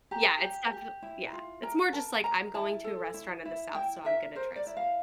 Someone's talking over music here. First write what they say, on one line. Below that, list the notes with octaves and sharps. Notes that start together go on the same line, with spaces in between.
Yeah, it's definite yeah. It's more just like I'm going to a restaurant in the South, so I'm gonna try some
G4 A#5
G4
G4
E4
F4
A#4 A#5
A#4 A5
A#4 A#5
E4 A5
A4
E4
E4
E4 G5
A#4 E5
A#4 C5
D5
E4
F5